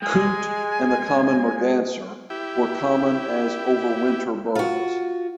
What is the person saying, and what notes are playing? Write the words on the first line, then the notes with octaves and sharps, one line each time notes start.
Coot and the common merganser were common as overwinter birds.
G#3 G#5
E4 G4
F4 F#4